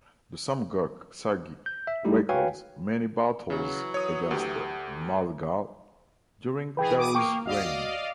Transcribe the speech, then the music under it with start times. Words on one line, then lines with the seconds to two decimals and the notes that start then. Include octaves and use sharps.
The Samguk Sagi records many battles against the "Malgal" during Daru's reign.
1.66 G6
1.87 E5
2.05 G3 A3 D#4 E4 G4
2.29 F#4 B4 C#5 F5 G5 G#5
3.50 C#3 E3 F#3
3.94 C#5 D#6
4.31 D2 G4
6.77 E3 G#4 B4 G5
6.99 D6 D#6
7.15 A#3 G5 C#6 D6
7.45 D2 F#4 D5 D#5 F5